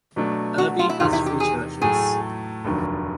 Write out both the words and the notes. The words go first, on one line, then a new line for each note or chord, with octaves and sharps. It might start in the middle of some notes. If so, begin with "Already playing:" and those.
Irby has three churches.
B2 F#3 A3 D4
F#4
F4
E4
E2 C3 D#3 F4
E4
G4
G#4
A2 F#3 A3 G#4
F1 D#2 D3 F#3